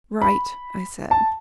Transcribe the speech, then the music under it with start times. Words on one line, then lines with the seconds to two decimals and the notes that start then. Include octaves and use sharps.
"Right," I said.
0.22 B5
1.11 A5